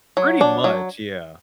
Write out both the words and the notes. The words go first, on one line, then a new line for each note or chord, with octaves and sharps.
pretty much, yeah.
F#3
D4
F#3